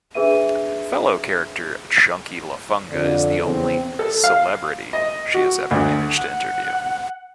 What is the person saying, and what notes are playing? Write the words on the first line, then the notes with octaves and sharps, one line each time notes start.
Fellow character Chunky Lafunga is the only "celebrity" she has ever managed to interview.
D4 G#4 B4 E5 D#7
F2 D3
E2 C#3 C4
A4
F5
D#5
F#4
D2
F#5